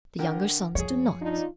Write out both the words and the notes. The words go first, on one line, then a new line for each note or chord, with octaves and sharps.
The younger sons do not.
D3 A#4 G5
F#2 F3 G#4 C#5
D4 D#4 F4